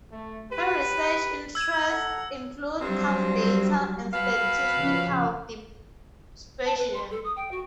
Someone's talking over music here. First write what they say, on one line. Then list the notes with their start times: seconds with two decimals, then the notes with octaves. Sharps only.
Her research interests include count data and statistical dispersion.
0.11 A3
0.50 G4 B4
1.55 E6 G#6
1.89 A4 F#5 A#5
2.80 G2 F#3 G3 C4
4.13 B2 B4 F5
4.77 C#3 F3 C#4
6.65 A5
6.78 B4
6.94 C6
7.11 A4
7.24 D#6
7.36 G5
7.51 F#4